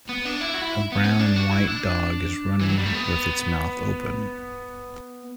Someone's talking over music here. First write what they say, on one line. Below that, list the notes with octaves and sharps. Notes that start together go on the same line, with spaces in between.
A brown and white dog is running with its mouth open.
B3
D4
E4
F#4
E4
B3
C#4
D4
F#4
E4
D4
E3
F#3
G3
A3
B3